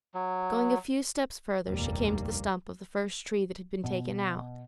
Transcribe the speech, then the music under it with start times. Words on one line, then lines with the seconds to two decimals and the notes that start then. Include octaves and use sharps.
Going a few steps farther, she came to the stump of the first tree that had been taken out.
0.14 F#3
1.67 F1 A#1 D#2 G3 A#3
3.84 B2